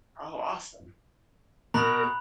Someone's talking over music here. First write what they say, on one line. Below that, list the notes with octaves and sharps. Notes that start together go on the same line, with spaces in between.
Oh, awesome.
B2 A#4 A#5 B5 F#6